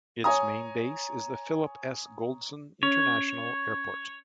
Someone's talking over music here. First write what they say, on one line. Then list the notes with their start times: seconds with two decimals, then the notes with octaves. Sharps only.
Its main base is the Philip S. W. Goldson International Airport.
0.24 C#5 G#5 A#5 D#6
2.83 C#4 C#5